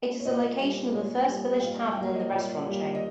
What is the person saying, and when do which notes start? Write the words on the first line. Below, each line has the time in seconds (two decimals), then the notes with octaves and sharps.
It is the location of the first Village Tavern in the restaurant chain.
0.20 C#5
0.25 A#2 D#5
0.60 G3 A#3
0.93 A#2 C#5
1.29 G3 A#3
1.60 G5
1.63 A#2 F5
1.81 F5
1.92 G5
1.97 G3 F5
2.01 A#3
2.08 C#5
2.15 D#5
2.32 A#2 C#5
2.67 G3
2.72 A#3
2.95 D#5